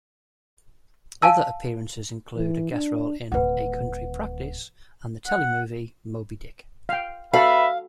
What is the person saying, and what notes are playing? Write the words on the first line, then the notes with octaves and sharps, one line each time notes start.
Other appearances include a guest role in "A Country Practice", and the telemovie "Moby-Dick".
F5 G#5 A5 E6
E3
D4
D1 D#3 B4 F#5
F#5
F5 G5
F#4 A4 B4 E5 F5 B5